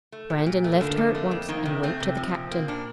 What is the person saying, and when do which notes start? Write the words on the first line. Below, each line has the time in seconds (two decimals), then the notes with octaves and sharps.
Brandon left her at once and went to the captain.
0.12 A3
0.30 A#2
0.46 A#2
0.64 A3
0.81 D3 A#3
0.97 F2
1.15 A3
1.31 F2
1.49 D#3 A#3
1.65 C3
1.83 A3 C4
2.00 C3
2.17 F3
2.34 A#2
2.51 A#3 C4
2.68 A#2 D4